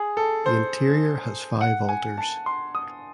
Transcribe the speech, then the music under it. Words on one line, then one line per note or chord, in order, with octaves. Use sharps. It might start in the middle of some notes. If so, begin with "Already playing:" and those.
The interior has five altars.
Already playing: G#4
A4
C5
F#5
G#5
A5
C6
D#6